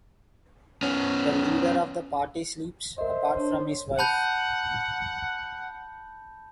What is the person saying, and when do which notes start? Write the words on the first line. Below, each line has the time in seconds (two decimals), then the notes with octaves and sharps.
The leader of the party sleeps apart from his wife.
0.83 B3 C#4
2.98 A#4 C5 D#5 E5
3.37 D4 C#5
3.99 F#5 A5 B5 G6